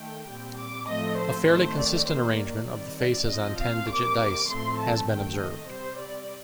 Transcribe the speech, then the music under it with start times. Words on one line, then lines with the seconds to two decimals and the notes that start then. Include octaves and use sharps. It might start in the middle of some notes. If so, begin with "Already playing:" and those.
A fairly consistent arrangement of the faces on ten-digit dice has been observed.
Already playing: D#3 A3 G5
0.28 A#2 G3 C4
0.58 D6
0.87 A2 F3 A3 C4 D#5
1.17 C5
1.47 D#3 A3 C4 C5
1.78 D5
2.08 D#3 A#3 C5
2.38 D5
2.68 D#3 G3 C4 D5
2.98 D5
3.27 A2 F3 C4 D#5
3.58 F5
3.88 C3 G3 A#3 D6
4.48 A2 F3 A3 C4 C6
4.77 A5
5.08 D#3 A3 C4 G5
5.38 D#5
5.68 C3 G3 C4 C5
5.98 D5